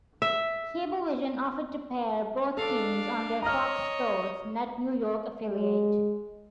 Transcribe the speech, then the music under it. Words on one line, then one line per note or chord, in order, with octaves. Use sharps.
Cablevision offered to pair both teams on their Fox Sports Net New York affiliate.
E5
D4 A4 F5
C#5 D#5 A#5 F6
G#3